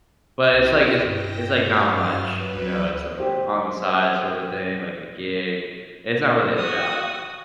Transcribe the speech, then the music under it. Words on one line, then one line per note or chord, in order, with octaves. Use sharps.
but it's, like it's it's, like, not much, you know? It's like a on-the-side sorta thing, like a gig. It's not really a job,
C2 E4 G4
G2 G5 A#6
G4 A#4 D5
F#2 F6 A6
F#3 B4
D2
G4 C5
F#4 D#6